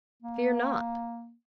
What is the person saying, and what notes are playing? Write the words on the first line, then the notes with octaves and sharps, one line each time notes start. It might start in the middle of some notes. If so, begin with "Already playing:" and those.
"Fear not!"
A#3